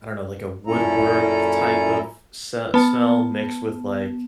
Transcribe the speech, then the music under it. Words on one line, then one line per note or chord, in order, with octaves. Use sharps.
I don't know, like a woodwork type of sa smell mixed with, like,
F#2 A#2 C#4 E4 A4 A#5
B3 A5